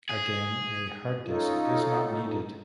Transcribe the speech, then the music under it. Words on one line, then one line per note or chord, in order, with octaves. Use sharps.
Again, a harddisk is not needed.
G#4
C#4 D#4 F4 A4